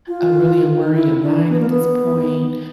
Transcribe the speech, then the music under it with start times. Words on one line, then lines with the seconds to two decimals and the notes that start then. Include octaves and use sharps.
a really a worry of mine at this point."
0.08 F4
0.83 D#4
0.93 E4
1.22 D4
1.49 B3
1.60 A#3
1.69 B3